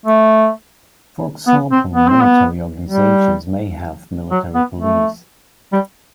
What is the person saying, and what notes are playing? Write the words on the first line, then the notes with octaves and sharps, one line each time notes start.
For example, military organizations may have military police.
A3
B3
C4
B3
C4
B3
G3
F#3
B3
A3
G3